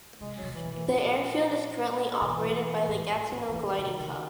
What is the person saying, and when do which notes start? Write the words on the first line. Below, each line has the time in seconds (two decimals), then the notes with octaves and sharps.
The airfield is currently operated by the Gatineau Gliding Club.
0.20 C3 G#3
0.37 F#3
0.43 B2
0.54 E3
0.65 B2
0.71 E3
0.87 A#2 F3
2.21 B2 E3
2.88 A2
3.10 A2
3.32 A2
3.49 A2
3.52 E3
3.55 A#2 D#3
3.78 C3
4.00 C#3